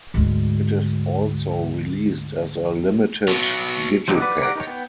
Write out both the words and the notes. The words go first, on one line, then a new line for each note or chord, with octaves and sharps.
It is also released as a limited digipak.
D2 G#2
B2 F#3
F3 F#3 D4 D#4 G4
B4 D5 F#5
G4 A#4 D5 F#5
D#4 A#4 C#5
B3 G5